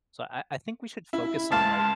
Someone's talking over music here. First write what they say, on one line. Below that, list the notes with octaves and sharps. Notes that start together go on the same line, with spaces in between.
So I I think we should focus on, like
E4
C#2 C5 F5 A5